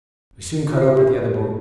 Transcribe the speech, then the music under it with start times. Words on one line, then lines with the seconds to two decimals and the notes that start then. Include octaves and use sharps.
We soon caught up with the other boat.
0.72 F4
0.81 G4
0.90 F4
0.99 D4